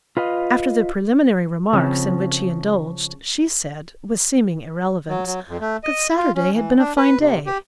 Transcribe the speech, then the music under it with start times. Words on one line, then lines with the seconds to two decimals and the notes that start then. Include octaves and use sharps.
After the preliminary remarks in which he indulged, she said, with seeming irrelevance, that Saturday had been a fine day.
0.17 F4 B4 D#5 F5
1.73 C#3 F3 C4
5.09 F#3
5.26 F#3
5.49 F2
5.61 A3
5.84 D#5
6.17 F4
6.35 C#4
6.54 E3
6.79 D4
6.97 B4
7.20 C3
7.46 G4